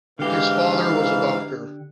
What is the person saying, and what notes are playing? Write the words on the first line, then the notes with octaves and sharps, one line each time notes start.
His father was a doctor.
G#2 D3 E3 G4 F5